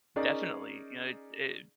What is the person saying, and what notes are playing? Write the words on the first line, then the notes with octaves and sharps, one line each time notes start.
Definitely. You know, it it
C#4 D#4 G#4 A#4 D5